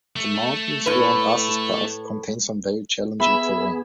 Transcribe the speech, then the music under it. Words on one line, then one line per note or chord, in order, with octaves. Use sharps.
The mountains around Arthur's Pass contain some very challenging terrain.
A3
A2 B4
B3 G#4 E5 B5